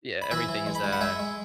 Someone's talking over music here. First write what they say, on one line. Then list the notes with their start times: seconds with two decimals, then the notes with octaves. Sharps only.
Yeah, everything is, uh,
0.22 B5
0.31 E3 E5 G#5
0.49 E3
0.66 G#3
0.75 B5
0.84 G#3 G#5
0.92 F#5 B5
1.01 G#3 E5 G#5
1.19 G#3